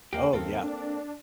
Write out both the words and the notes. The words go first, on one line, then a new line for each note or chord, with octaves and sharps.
Oh, yeah.
E2 A#3 G4
D#2 A#3 C4 A4
D4